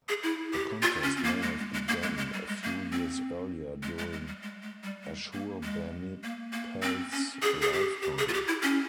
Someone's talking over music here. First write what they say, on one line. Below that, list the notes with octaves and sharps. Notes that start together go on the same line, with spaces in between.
The contest may have begun a few years earlier during Ashurbanipal's lifetime.
G#4
E4
G4
F4
C#4
C4
A#3
G#3
G#3
G#3
A#3
G#3
G#3
G3
G#3
A#3
C4
G#3
G#3
G#3
G3
G#3
G#3
G3
G#3
A#3
G#3
A#3
A#3
C4
C#4
G#4
G#4
G4
G4
G#4
F4
G4
E4
C#4